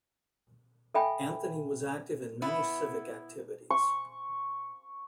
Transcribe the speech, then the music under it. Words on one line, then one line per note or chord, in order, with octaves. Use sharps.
Anthony was active in many civic activities.
A4 E5 G5 G#5 B5
B3 E4
C#6